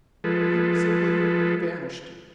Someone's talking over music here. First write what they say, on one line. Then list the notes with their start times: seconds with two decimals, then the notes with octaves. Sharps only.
He simply--vanished.
0.24 F3 G#3 A4 B4